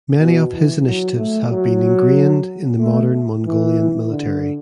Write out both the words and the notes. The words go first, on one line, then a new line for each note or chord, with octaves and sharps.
Many of his initiatives have been engrained in the modern Mongolian military.
B2
E3
F#3
A3
F#3
A3
E3
D3